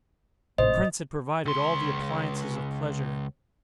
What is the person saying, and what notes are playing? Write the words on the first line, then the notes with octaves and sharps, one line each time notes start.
The prince had provided all the appliances of pleasure.
G#1 A2 C3 C5 D#5
C#2 C6